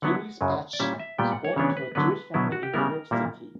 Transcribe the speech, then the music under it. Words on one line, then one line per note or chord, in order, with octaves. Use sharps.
Julius Bache was born to a Jewish family in New York City.
D3 F#3 B3 E4 F#5
F#2 C#3 F#3
D5
A#2 G3 C#4 E4 E5
E5
A#2 G3 B3 G5
F#5
C#5
C#3 E3 B3 D4 C#5
B4
D3 F#3 B3 B4
B2 F#3 B3 E4
F#4
G4
C#3 G3 B3 E4 A#4
A#2 G3 A#3 E4